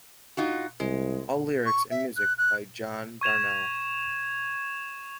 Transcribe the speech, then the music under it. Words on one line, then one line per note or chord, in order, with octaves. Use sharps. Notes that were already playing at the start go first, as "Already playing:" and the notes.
All lyrics and music by John Darnielle.
D#4 F4 F#4
C2 G#3
C#6
E5
F#6
F#6
C#6 G#6 E7 F7